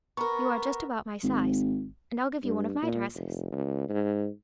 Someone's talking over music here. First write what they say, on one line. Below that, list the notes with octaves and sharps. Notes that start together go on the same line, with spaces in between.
You are just about my size, and I'll give you one of my dresses.
B3 A#4 A#5 B5 C#6
G#1
G2
A#2
F1
C#2
G#2